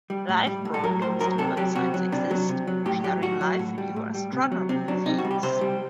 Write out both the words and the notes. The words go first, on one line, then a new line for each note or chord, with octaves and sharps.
Live broadcasting websites exist for sharing live video astronomy feeds.
G3
A2
G3
A2
A4
F#3 A#4
A2 C5
F#3 A#4
C3 A4
F#3 G4
C3 F#4
F#3
C3 D4
F#3
C3
F#3
A2 G4
F#3 G4
A2 F#4
F#3
A2
G3
A2
G3
C3
F#3
C3 C4
F#3 D4
C3 D#4
F#4
G3
G4
C3 C5
G3